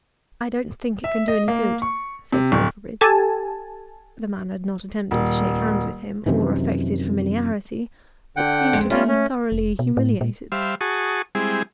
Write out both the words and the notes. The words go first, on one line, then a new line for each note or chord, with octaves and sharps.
"I don't think it can do any good," said Silverbridge. The man had not attempted to shake hands with him, or affected familiarity; but seemed to be thoroughly humiliated.
E5
D#5
A#3
C#6
C3
D1
G4 A4 G#5 A5
D#1
F#2 C3 D#3 E3
D3 F#5 G5
F2 G#3 C4
G3 A3 C#4 F4
C#4
F1
B2
A2
A#2
G3 C5 E5 F5
F#4 G#4 A5 C#6 D#6
G3 G#3 C4 E4 G#4